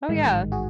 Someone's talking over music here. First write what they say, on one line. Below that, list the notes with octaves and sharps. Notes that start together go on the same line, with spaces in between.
Oh, yeah.
A1 G#2 D#3 G#3
F#4 G#4